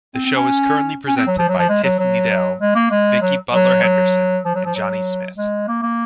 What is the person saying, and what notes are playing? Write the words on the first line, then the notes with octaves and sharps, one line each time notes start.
The show is currently presented by Tiff Needell, Vicki Butler-Henderson and Jonny Smith.
C4
C4
C#4
C#4
C4
F#3
F3
F#3
F3
G#3
F#3
F#3
G#3
A#3
G#3
F#3
F#3
F#3
F3
F#3
F3
F#3
G#3
A#3
A#3